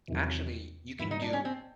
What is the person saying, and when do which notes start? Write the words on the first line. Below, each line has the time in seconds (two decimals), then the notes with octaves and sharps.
Actually, you can do
0.08 E2 C3 D#3 F#3
0.99 G#2 D#3 G3 B3 E4
1.11 D#4
1.22 D4
1.33 C#4
1.45 C4